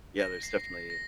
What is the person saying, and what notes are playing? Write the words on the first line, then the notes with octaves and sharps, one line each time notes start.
Yeah, there's definitely
A#6
C7
A#6